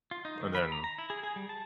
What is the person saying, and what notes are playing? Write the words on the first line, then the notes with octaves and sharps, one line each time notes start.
And then
F4
D#4
D#3
B5
A#5
A#5
E4
G#4
G#4
G3
A5